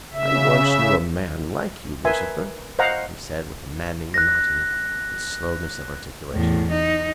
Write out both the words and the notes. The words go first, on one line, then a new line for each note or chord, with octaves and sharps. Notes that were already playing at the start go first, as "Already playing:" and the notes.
"I once knew a man like you, Lucifer," he said, with a maddening monotony and slowness of articulation.
C#3 E5
A#4 B4 E5 G#5 C6
C5 D#5 F5 F#5 A#5
F#6 A#6
E2 A2
D#4